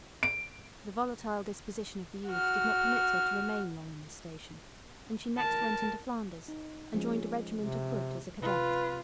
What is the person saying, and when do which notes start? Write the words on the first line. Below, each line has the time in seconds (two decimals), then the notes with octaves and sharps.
The volatile disposition of the youth did not permit her to remain long in this station, and she next went into Flanders, and joined a regiment of foot as a cadet.
0.23 D7
2.29 F#4 F6
5.37 A#4 A5
6.48 D#4
6.94 F3 G#3 C#4
7.59 C3
8.42 C3 F4 B4